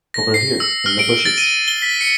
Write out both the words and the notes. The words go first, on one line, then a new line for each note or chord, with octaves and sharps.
Over here in the bushes.
A#6
C7
E6
F6
D7
A6
D#7
G7
B6
C#7